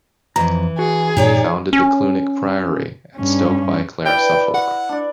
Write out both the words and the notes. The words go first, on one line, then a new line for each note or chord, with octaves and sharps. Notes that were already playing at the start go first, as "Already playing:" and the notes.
He founded the Clunic priory at Stoke-by-Clare, Suffolk.
F2 E3 A#5
F#4 G#4
G2 A#2 E3 D#4 C#5 D5
C#4
G2 C#4
E4 B4 D5 G5
F#5
D4 D5